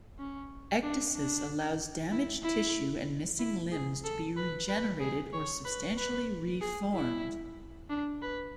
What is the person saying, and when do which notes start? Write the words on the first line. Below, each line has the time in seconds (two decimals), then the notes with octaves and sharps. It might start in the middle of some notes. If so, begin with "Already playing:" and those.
Ecdysis allows damaged tissue and missing limbs to be regenerated or substantially re-formed.
0.19 C#4
0.83 D4
1.15 D4
2.12 E4
2.43 E4
3.39 E4
3.72 G#4
4.04 A4
4.37 B4
4.69 B4
5.00 G#4
5.33 C#5
5.65 B4
5.98 B4
6.61 G#4
6.94 E4
7.90 D4
8.22 B4